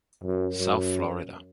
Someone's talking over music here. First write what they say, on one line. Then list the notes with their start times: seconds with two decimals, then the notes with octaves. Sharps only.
South Florida.
0.24 F#2
0.58 F#2